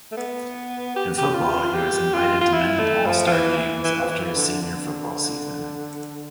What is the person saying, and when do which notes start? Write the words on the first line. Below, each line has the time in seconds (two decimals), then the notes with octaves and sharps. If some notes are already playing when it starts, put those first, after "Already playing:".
In football, he was invited to many all-star games after his senior football season.
0.11 A3
0.17 B3
0.96 G4
1.18 G4
1.34 F4
1.74 G4
2.13 F4
2.41 F4
2.53 E4
2.79 A3
3.06 F3
3.27 F3
3.32 E3
3.58 E3
3.84 E3
4.02 F3
4.11 E3
4.36 D3
4.62 D3